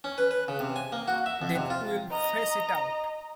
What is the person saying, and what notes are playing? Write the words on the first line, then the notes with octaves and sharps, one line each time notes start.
Then we'll face it out.
C#4
B4
B4
C#3
C3
G#5
A#3
F#4
E5
F2
C3
F4
D#5 A#5